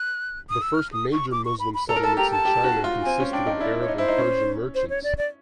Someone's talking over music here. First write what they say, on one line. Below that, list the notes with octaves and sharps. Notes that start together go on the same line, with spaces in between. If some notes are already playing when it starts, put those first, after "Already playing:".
The first major Muslim settlements in China consisted of Arab and Persian merchants.
Already playing: F#6
D#6
E6
F6
D#6
C#6
D6
C#6
B5
B5
A4 A#5
A#4
A4 A5
G4 A#5
A5
G4
F#4
F4
C4 G#5
C#4
D4 G5
D#4
E4 D5
C#5
D#4
E4 C5
D#4
C#4
C5
C#5
D5
D5